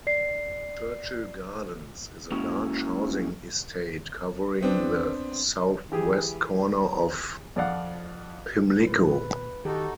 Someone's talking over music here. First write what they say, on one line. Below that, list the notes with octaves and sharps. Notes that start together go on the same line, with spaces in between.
Churchill Gardens is a large housing estate covering the south-west corner of Pimlico.
D5 C7
G#3 A#3 C#4 E4 F#4
B3 C4 D4
E3 G4 G#4
F2 F3 D5 F5 F#5 F#6
A#2 B4
D#3 D#4 F#4 G4 A4